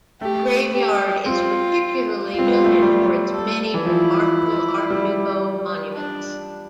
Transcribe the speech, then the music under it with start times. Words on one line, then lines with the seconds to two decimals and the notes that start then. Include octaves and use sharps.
The graveyard is particularly noted for its many remarkable art nouveau monuments.
0.21 A3 G4
0.73 G4
1.26 C4 F4
2.30 F4
2.38 C4
2.47 B3
2.64 A3
2.82 G3
3.33 A4
3.74 E3
3.85 F3 E4
4.90 G3
5.94 D4